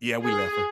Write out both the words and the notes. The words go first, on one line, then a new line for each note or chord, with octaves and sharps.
Yeah, we left her.
G#4